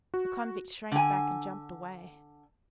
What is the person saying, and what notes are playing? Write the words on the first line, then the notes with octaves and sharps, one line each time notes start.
The convict shrank back and jumped away.
F#4
D3 G#5